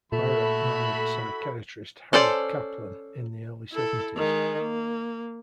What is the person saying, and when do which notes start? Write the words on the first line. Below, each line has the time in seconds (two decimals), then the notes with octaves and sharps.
Barrett married psychiatrist Harold Kaplan in the early seventies.
0.12 A#2 A3 E4 F#4 A4 B5
2.13 C#4 A4 C5 D5
3.72 E4 A4
4.16 D#3 G#3
4.61 A#3